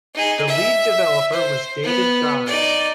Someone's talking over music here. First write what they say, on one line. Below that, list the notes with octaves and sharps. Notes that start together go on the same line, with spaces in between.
The lead developer was David Dawes.
D#4 G#4
E5
C5
B3
D#4 D5